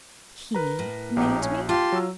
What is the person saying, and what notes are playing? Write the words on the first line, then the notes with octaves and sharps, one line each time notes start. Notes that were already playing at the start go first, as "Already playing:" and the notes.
"HE made me--?"
A#4 B4 A#5
A2
A#1 D#4 G4
C#4
F4 G4 A5 C6
F#3 E6